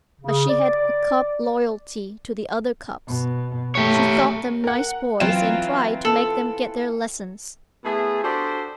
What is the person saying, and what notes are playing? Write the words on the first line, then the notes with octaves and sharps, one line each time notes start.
But she had a cub loyalty to the other cubs. She thought them nice boys and tried to make them get their lessons.
C#3
D5
B2
A3 G4 C#5
A#4 F#5
E3 F#3 C4 F4 E7
A4 F#7
A3 B3 E4 G#4
D4 F#4 G4 A4 C5